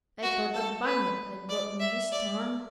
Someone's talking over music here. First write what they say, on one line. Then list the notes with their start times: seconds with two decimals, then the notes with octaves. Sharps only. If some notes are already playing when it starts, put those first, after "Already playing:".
They thought the Bunyip had got them this time.
0.22 F#4
0.54 A4
0.86 B4
1.49 D5
1.80 E5
2.12 D5